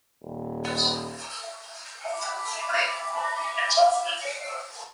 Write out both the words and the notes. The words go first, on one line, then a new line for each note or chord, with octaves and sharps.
A number of streams and small creeks run through the reserve.
D#1
E5 B5 D6